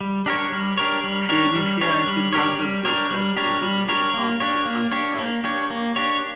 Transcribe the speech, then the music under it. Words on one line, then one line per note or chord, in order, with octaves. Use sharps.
She initiated random drug testing within the Department of Transportation.
G3
D4 G4 A#4 C#5
G3
D4 G4 A#4 C#5
G3
D4 G4 A#4 C#5
G3
D4 G4 A#4 C#5
G3
D4 G4 A#4 C#5
G3
D4 G4 A#4 C#5
G3
D4 G4 A#4 C#5
G3
D4 G4 A#4 C#5
A#3
D4 G4 C#5
A#3
D4 G4 C#5
A#3
D4 G4 C#5
A#3
D4 G4 C#5